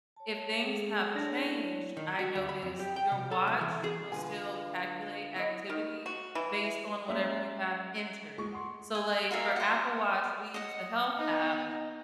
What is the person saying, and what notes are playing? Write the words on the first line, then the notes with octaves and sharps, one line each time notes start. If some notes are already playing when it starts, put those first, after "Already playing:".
if things have changed, I noticed your watch will still calculate activity based on whatever you have entered, so, like, for Apple Watch, we use the Health app,
C#5 A5
G#3 G#4 A4
D4 E4 C#5 A#6
D#3
F#4
D2
B5
F2
G4
G5
C3
A4
C2
E3
G#4
D3 F4 B4 G#5
E4 D#5
D#3
F#4
E3
G#3 A#3 C#4 E5
G#3 C#6
F#5 C6
G#5
F#4 A#4 E5 F5
C5 F#5
D#5 F#5
B3 D#4